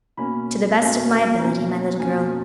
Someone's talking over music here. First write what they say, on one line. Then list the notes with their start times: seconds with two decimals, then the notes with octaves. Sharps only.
"To the best of my ability, my little girl."
0.17 B2 A#3 C#4 B5
0.79 B2 A#3 C#4
1.39 B2 A#3 C#4 A#5
2.00 B2 A#3 C#4 G#5